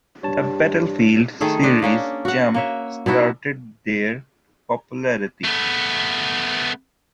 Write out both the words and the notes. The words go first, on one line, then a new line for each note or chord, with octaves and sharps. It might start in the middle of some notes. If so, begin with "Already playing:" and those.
The "Battlefield" series jump-started their popularity.
G2 G4 C#5 A5
D#3 A3 G#4 A4
D4 C5 D#5
A#3 C#4 D4
F#4 F#5
A#3 C#5 E5
B2 D#4 E4 F#4
A3 B3